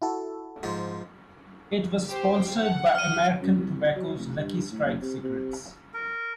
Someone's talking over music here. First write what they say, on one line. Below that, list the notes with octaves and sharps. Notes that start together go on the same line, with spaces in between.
It was sponsored by American Tobacco's Lucky Strike cigarettes.
E4 F#4 A4
G#2 F3
G4 C5
F#5
F6 D#7
F#2
C2
F#3
F1
G2
A2
F#1
C3
C3
A#4